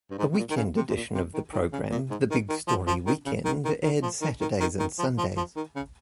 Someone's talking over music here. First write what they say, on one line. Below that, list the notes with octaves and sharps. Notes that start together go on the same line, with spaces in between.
A weekend edition of the program, The Big Story Weekend, aired Saturdays and Sundays.
G2
G#2
C3
A#2
D#3
C#3
C3
G#2
A#2
C3
D#3
D#3
C#3
A#2
G#2
D#3
D#3
F3
F3
D#3
C#3
D#3
D#3
D#3
F3
D#3
D#3
D#3
D#3
F3
F3
F3
D#3
C#3